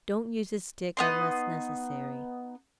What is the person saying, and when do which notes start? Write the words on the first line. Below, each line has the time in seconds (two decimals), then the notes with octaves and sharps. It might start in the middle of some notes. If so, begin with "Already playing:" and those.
Don't use a stick unless necessary.
0.97 B3 D#4 C6